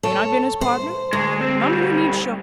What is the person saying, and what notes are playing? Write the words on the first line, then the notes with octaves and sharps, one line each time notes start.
Ain't I been his pardner? None of you need show.
A4 C#5
C5
D2 G#3
C4
B1 G3